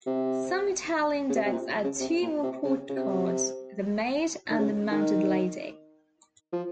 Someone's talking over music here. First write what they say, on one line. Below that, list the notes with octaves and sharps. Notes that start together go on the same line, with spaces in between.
Some Italian decks add two more court cards: the maid and the mounted lady.
C3
C#3
C3
C3
A#2
C#3
C3
A#2
C3
C#3
C#3
C3
D#3
C#3
D#3
F3